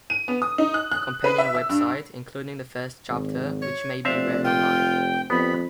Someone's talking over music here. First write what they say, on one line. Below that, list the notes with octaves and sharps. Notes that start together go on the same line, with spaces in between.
Companion web site, including the first chapter, which may be read online.
D#7
B3
D#6
D#4
F#6
F#6
B4
E5
E6
G2
G#1
C#5
F1 C4 D4 E5 F5
F4 G5
F2 G3 B3 B5